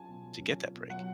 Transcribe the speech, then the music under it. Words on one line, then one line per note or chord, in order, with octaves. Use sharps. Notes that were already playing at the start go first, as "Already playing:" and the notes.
to get that break?
Already playing: F#3 C#4 F4 G#5 A5
B2
F#3
C#4
F4
B2
F#3 F#5